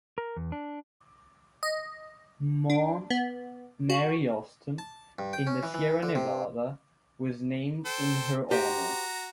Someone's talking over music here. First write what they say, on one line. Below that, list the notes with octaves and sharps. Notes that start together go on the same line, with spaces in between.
Mount Mary Austin, in the Sierra Nevada, was named in her honor.
A#4
E2
D4
D#5
D4
B3
F#4
A5
G2
G5
C#4
E3
E3
D3
C3
A4 C5 G5
F#4 G4 C5 A#5